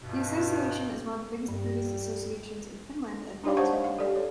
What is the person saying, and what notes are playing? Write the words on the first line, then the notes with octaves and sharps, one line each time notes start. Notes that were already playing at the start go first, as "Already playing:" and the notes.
The association is one of the biggest Buddhist associations in Finland and follows Mahayana.
G2 B2
G2 G3
D4 D#4 G4 C#5 D5 F5
C5 C#5 F5 F#5 A5 C#6
D#5
F5
G4 A4 D5
C#5